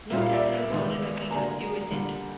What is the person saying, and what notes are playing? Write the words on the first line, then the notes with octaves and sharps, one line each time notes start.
New Castle was founded by Peter Stuyvesant.
A#2 G3 A#3 E5
F5
D5 E5
D#3 G#3 B3
D3 F#3 A#3 G#5 A#5
D3 G3 A#3